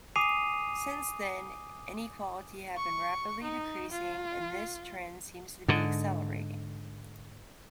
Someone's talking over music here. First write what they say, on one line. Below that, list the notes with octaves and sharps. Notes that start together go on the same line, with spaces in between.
Since then inequality have been rapidly decreasing, and this trend seems to be accelerating.
G#5 D6 D#6 C7 D#7 F7
C#6
D#4
F4
G#2 D3